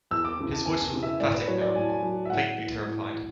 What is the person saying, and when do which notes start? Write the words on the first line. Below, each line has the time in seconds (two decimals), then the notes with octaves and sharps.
His voice was emphatic now, faintly terrified.
0.11 E2 E6
0.25 D6
0.38 C#3 E3
0.52 A5
0.66 E2 G#5
0.94 C#3 E3
1.03 E5
1.20 A2 D5
1.34 B4
1.48 F#3 C#5
1.62 D5
1.75 A2 G#5
1.82 A5
1.90 G#5
2.03 F#3
2.25 E5
2.30 A2 F#5
2.58 E3
2.85 A2
3.13 E3